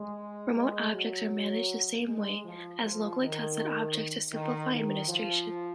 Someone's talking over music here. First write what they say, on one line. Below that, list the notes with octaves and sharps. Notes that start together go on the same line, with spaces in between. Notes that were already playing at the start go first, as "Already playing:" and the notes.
Remote objects are managed the same way as locally tested objects to simplify administration.
Already playing: G#3
G#3
F#3
G#3
F3
F3
D#3
D#3
D#3
F3